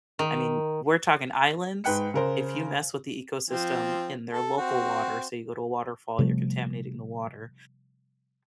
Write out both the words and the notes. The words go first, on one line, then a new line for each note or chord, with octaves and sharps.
I mean, we're talking islands, if you mess with the ecosystem in their local water- so you go to a waterfall, you're contaminating the water-
D#3
G#2 B4 G5 F#6 C#7
C#3 A#4 C5
F3 C4
A4
C4 F#4
C3 F3 G3 A3